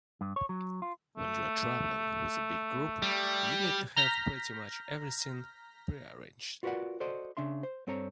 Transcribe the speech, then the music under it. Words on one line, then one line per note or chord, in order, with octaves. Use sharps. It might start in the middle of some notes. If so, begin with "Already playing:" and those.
When you are traveling with a big group, you need to have pretty much everything prearranged.
G2
C#5
F#3
F4
A3
G3
A#5 F6 G6 A#6 B6
F4 F#4 A#4 B4 D5 F#5
F#4 A4 C5 D5 D#5
C#3 D4 E5 C6
C5
G2 C4 A4 C#5 A#5